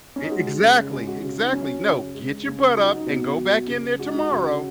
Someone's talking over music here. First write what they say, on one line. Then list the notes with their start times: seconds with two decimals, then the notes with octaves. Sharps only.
E exactly. Exactly, "No, get your butt up and go back in there tomorrow,
0.16 C#4
0.23 D#4
0.31 G#3 F#4
0.60 C#3
0.91 G#3 F#4
1.07 F#4
1.22 C#3 F#4
1.38 D#4
1.53 F#3 C#4
1.84 C#3
2.14 G#3
2.45 C#3
2.76 F#3 D#4
2.86 F#4
2.95 D#4
3.06 B2
3.37 F#3
3.67 C#3
3.99 G#3 F#4
4.08 D#4
4.17 F#4
4.29 C#3